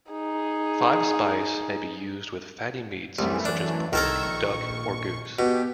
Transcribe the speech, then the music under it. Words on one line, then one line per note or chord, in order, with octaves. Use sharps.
Five spice may be used with fatty meats such as pork, duck or goose.
D#4 G#4
C2 F#2 E3 A3
D4
C2 D#3 A4 A#4 E6 G#6
A#1 C#6
B2 G4